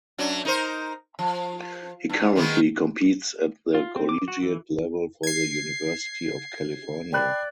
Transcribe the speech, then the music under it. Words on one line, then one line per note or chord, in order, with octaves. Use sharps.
He currently competes at the collegiate level for the University of California.
F#2 F#3 D4
D#4 A#4 C5
F3
G2
D#3 G#3 B3
F4
C4
D6
F#4
E3
G#6 C7
D5 G5 B5 F#6